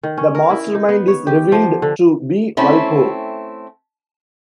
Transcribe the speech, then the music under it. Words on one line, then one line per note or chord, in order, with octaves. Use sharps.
The mastermind is revealed to be Vulko.
D#3
C#4
A#4
E4
D#4
B3
C#5
G4
F3
D3
A3 C4 C#4 E4